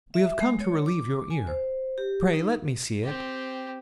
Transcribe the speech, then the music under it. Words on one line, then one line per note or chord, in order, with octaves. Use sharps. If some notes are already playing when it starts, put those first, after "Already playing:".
We have come to relieve your ear. Pray let me see it.
E5
G#3
C#5
D6
G#5
C5
G4
D#4
C4 G4